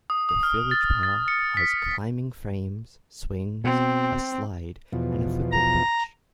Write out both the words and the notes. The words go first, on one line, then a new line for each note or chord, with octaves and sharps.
The village park has climbing frames, swings, a slide and a football pitch.
D#6
D#6
F6
A6
A6
C#7
B6
B2 C4
E2 B2 F3
A#5